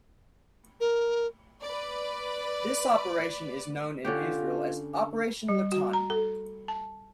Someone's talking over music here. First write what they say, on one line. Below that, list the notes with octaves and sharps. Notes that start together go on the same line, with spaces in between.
This operation is known in Israel as Operation Litani.
A#4
B4 D5
D3 C#4 F4 G4
G3
F#4
A#5
A4
A5